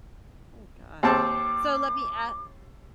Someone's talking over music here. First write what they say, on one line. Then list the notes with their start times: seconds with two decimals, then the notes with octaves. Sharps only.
Ooh gosh. So, let me a
1.03 D#2 C4 A5 D6